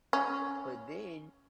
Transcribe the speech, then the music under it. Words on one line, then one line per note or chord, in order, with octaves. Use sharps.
but then,
C#4